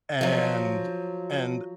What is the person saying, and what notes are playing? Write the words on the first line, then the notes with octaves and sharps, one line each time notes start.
and and
F3 F#3